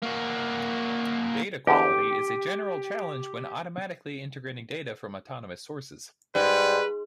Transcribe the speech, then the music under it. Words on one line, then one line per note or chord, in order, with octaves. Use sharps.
Data quality is a general challenge when automatically integrating data from autonomous sources.
A#3 F#4
E2 D3 G4
G#2 G3 B4